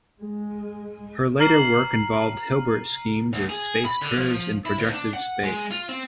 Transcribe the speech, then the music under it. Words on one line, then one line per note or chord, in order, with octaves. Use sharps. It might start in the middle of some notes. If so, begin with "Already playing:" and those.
Her later work involved Hilbert schemes of space curves in projective space.
G#3
A#5 F6 C7 F#7
D2
G#4
B5
D3
F3
E4
D2
D4
F#5
G#3
F4
C4